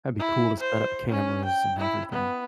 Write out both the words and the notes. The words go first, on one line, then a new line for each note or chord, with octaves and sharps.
That'd be cool to set up cameras and everything.
E4
C5
C#4
G5
E4
B3